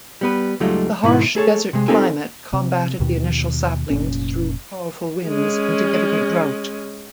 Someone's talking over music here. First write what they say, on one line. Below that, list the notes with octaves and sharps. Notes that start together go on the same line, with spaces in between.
The harsh desert climate combated the initial saplings through powerful winds and significant drought.
G3 B3 B4
C#2 F#3 G3 A3 D#4 F4
G#2 B2 D#3 E4
A3 G#4 A4 C#5
C3 G#3
C4 D#4 F4 G4 A4 G#5
C3
D#2 B2 D#3
F1 A#2 C#4
G#3 C#4